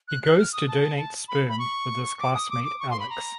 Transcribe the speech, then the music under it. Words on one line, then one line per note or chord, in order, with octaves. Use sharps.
He goes to donate sperm with his classmate Alex.
F#6
F#6
F6
D#6
A5
A5
B5
B5
C#6
D6
D#6
D6
D6
C#6
C6
B5
A#5